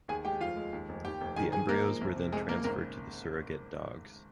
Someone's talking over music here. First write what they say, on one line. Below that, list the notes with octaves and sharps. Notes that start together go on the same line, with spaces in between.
The embryos were then transferred to the surrogate dogs.
D#2 G#4 G#5
G#3 G4 G5
F1 F4 F5
G#3
D#2
F1
D#2 G4 G5
F1
D#3 G#4 G#5
D#3 G#4 G#5
G#3 A#3 A#4
F3
C2
C3
F1 G#3 G#4
C#3 A#3 A#4
G#1 A#3 A#4